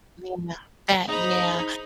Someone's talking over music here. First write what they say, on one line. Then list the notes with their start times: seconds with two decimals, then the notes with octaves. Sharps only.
Yeah, that yeah.
1.08 D#4 G#4 C5 D#5 A#5 B5